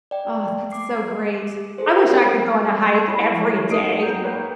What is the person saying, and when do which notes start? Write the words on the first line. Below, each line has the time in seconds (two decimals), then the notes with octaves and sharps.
Aw, that's so great. I wish I could go on a hike every day.
0.11 D5 G5
0.72 D6 C7
1.78 G#4 A4 C5
1.98 A#4
3.08 E4 C#5 B5
3.70 D#4 D#6 C7 D7
4.03 F#3 G5
4.23 A#3 B4 C#5